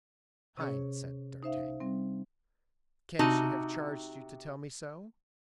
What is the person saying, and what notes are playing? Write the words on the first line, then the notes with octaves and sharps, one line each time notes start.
"HEIN!" said d'Artagnan, "can she have charged you to tell me so?"
C3 C#4 G#4 C#5
D#4 C5 E5 F5
G3 C4
C3 D#4 F#4 A5